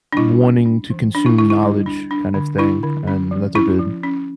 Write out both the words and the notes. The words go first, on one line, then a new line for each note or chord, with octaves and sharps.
wanting to consume knowledge kind of thing, and that's a good
D4
G3 E4
C#4
D4
E3
C#4 D4
E4
D3 E4
E4
G3
D4
D4
D3
D4 E4
D3
C#4
F3
C#4 E4
F3
C#4